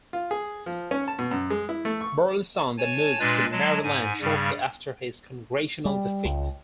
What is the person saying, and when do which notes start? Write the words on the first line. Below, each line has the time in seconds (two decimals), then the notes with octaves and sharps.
Burlison then moved to Maryland shortly after his congressional defeat.
0.13 F4
0.31 G#4
0.66 F3
0.91 C#4
1.08 A5
1.19 B2
1.31 F#2
1.50 G#3
1.69 E4
1.85 A3
2.01 C#6
2.78 C#5 G#5 A5
3.20 A#2 G#3 D4 B4 A6
3.52 F#3 G#3 A5
3.83 G#2 G#5
4.21 G2 C#3 G3
5.85 G3
6.25 C#2